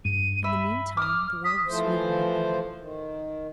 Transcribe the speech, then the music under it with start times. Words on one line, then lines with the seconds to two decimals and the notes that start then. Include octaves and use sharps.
In the mean time the war with Sweden went on.
0.05 G2 D#7
0.44 E5 B5
0.97 D6 D#6 F6
1.45 D#6 B6
1.67 E3 F3 A3 C5
2.79 D#3